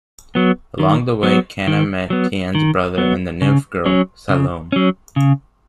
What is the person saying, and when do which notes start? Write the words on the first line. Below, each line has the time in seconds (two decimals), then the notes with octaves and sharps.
Along the way, Kana meet Tien's brother and the Nymph girl, Salome.
0.35 F#3 B3
0.79 D#3
1.23 F#3 B3
1.67 D#3
2.10 F#3 B3
2.55 D#3
2.98 F#3 B3
3.42 C#3
3.86 F#3 C#4
4.29 C#3
4.72 F#3 C#4
5.16 C#3